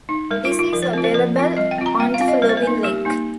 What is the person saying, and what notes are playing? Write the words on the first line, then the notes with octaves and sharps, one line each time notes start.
This is available on the following link.
D#4
G3 A#4
F4
D#4
F4
F3 A#4
C5
C4 F4 A#4
C5
F3 A#4
C4 F4
G3 D#5
G5
C4 F4
A#5
G3 G5
F5
C4 F4
D#5
G3 A#4
C5
A#4
A#3 D#4
G3 G4
A#3 D#4